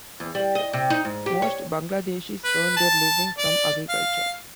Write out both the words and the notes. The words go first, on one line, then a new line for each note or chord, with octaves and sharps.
Most Bangladeshis earn their living from agriculture.
E2
G3
D#5
C3
D#4
G#2
G4
C#5
B4
A5
D5
F5